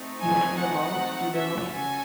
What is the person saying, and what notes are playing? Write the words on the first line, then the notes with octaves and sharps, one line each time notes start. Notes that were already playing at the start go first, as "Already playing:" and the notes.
Using the mouse is still an option.
Already playing: A3 C4 D#4
G#5
F#5
C#4 F#4 A4 E5
G#5